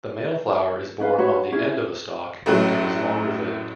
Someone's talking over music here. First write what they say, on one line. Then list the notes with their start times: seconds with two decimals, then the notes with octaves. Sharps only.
The male flower is borne on the end of a stalk and is longer-lived.
1.00 C#4 B4 F5
1.18 F#4 B4 C#5
1.52 C#4 E4 G#4
2.46 A1 A2 F#3